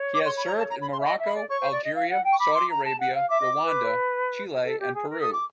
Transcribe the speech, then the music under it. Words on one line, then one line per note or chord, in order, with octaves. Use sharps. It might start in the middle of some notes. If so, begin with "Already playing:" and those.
He has served in Morocco, Algeria, Saudi Arabia, Rwanda, Chile and Peru.
Already playing: C#5
D6
C6
B5
A#5
A5
A#5
B5
C6
E5
D#5 B5
E5
B5
D5
C#5 C#6
C5
D5
D#5
F5
F#5
G5
C#6
B5 D6
C6
A#5
A5
F#5
F5
E5 D6
D#5
B4
A4
G4
G#4
A#4
A4 D#6
D6